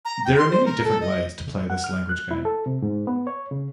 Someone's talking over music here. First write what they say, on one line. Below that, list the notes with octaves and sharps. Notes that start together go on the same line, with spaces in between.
There are many different ways to play this language game.
A#5
G5
C6
C5
A#4
A4
D#5
F#5
F6
F#6
E4
A4
C3
G#2
B3
C#5
C#3